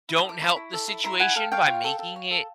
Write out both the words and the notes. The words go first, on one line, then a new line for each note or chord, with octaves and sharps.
don't help the situation by making it
E4
D#6
A4 D6
E4 B5 C#6
E4
A4
E4
E4 A#5 C6
E4 F#5 G#5
A4 F5 G5
C#5 F5 G5
F4
A4
A4
C#5
A4